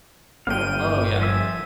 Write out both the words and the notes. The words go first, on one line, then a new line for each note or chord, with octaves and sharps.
Oh, yeah.
G1 F5 G5 D#7
F3 E5 G#5